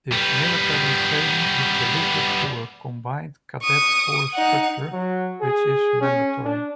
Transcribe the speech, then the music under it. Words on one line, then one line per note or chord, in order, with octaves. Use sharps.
This military training is delivered through a Combined Cadet Force structure which is mandatory.
G3 B3
C#6 D#6
D#4 F#5
F#3
G#4
C#4
D4